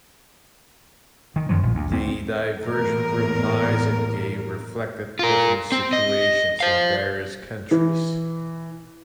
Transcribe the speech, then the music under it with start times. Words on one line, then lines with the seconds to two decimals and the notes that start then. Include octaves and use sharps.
The divergent replies it gave reflected different situations in various countries.
1.36 D#3
1.49 F#2 D#3 F3 F#3
1.63 A#1
1.75 D2
1.91 D2 C4
2.66 E2 A2 A#4
5.19 F4 A#4
5.72 C4
5.93 D#5
6.60 C5 F5
7.71 E3